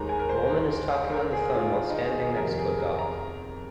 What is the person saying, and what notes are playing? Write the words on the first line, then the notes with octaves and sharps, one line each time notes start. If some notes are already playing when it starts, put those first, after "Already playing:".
A woman is talking on the phone while standing next to a dog.
Already playing: D#2 D#3 G#3 A#5
G#5
A#4
C5
A#4
G#4
F4
F4
D#4
G#4
G#4
F2 C3 D#3 A#4
G#4
A#4
A#5